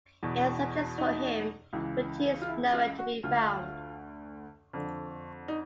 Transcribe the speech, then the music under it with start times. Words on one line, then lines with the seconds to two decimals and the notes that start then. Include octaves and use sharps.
Ann searches for him, but he is nowhere to be found.
0.23 E2 B2
0.98 D#4
1.73 C#2 C#3 E3
2.42 F4
2.48 E4
2.73 F4
2.99 F#4
3.23 D2 D3 F4
4.73 F2 D3
5.48 D#4